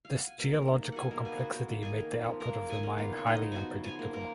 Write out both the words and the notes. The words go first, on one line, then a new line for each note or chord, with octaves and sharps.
This geological complexity made the output of the mine highly unpredictable.
F5
F#5
G#5
B2 A#4 A#5
A#3
D#3
A#3
B2 G#4 F#5 G#5
A#3
B3 G#4 G#5
C#3 F#4 F#5
A#3
D#3
D#3 G#4 G#5
A#3
B3
F3
A#3 A#4 A#5
C#3
D#3 G#4 G#5
A#3
B3 F4 F5
C#3 C#5
B3 D#4 D#5
F3
B3 F#4 F#5 G#5
C#3
F3 G#4 G#5
A#3
A#3 A#4 A#5